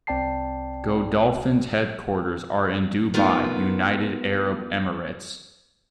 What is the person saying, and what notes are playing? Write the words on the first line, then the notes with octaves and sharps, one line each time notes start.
Godolphin's headquarters are in Dubai, United Arab Emirates.
C2 C4 D5 G5 A5 C7
A3 B3 D#4 F4 A#4